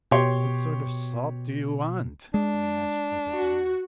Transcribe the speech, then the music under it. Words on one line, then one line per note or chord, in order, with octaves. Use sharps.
"What sort of salt do you want?" I asked with a jeer.
B2 G4 C#5 C6
G#3 D4
F#4